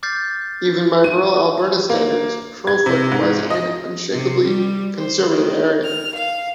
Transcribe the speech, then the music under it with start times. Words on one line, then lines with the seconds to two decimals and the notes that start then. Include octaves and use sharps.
Even by rural Alberta standards, Crowfoot was an unshakably conservative area.
0.03 D6 F6 G6 A6 C7
1.04 D#7
1.90 A#3
2.67 G#6
2.86 C3
3.12 G#2
3.50 D#5
4.10 C3
4.43 G3
4.97 C5
5.29 D#3
5.84 F6
6.14 F5